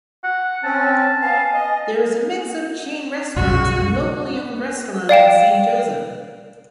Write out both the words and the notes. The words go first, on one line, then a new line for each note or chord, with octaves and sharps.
There is a mix of chain restaurants and locally owned restaurant in Saint Joseph.
F#5
C4 C#4 A5
B3 F5 G#5
D#5
B1 F#2 C#3 F#4
D5 F5 G5 E7